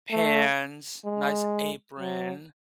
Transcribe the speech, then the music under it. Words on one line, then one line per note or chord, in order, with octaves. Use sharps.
pans, nice apron.
A3
G#3
F#3